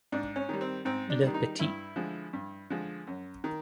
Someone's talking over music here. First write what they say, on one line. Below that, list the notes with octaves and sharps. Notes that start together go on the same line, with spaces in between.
Le Petit.
G#2 D4
C#4
D#3 G3
C4
G#2 C4
D4
D#3 G3
D#4
G2 E4
D3 F3 G#3
G2
D3 F3 G#3
F#2
D#3